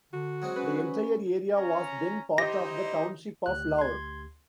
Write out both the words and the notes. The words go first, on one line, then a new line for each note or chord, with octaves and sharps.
The entire area was then part of the township of Laur.
D3 F#4
F#3 G#3 C4
C#4 B4
C#4 A#5
D#4 E4 G4 C5 D#5 A#6
D2 G4 F#6
C6 G#6